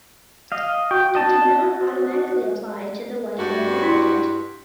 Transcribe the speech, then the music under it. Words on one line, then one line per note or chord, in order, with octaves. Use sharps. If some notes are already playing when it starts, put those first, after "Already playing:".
It did not automatically apply to the wife of an applicant.
D#5 F5
F#4 G5
D#5 A5
G2 F#4
E4 C6 B6